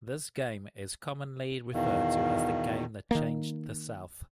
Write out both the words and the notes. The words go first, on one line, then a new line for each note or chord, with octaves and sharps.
This game is commonly referred to as the game that changed the south.
E2 B2 D#3 F5
D#3 A#3